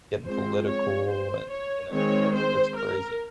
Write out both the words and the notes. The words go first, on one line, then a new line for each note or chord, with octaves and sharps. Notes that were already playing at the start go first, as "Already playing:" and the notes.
getting political, and, you know, that's that's crazy.
F3 G#3 C4 C5
C#5
C5
C#5
D#3 G#3 C4 C#5
C5
A#4